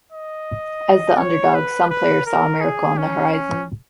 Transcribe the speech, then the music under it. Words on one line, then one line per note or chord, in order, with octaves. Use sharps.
As the underdog, some players saw a miracle on the horizon.
D#5
C#5
B4
B4
A#4
G#4
C#4
C#4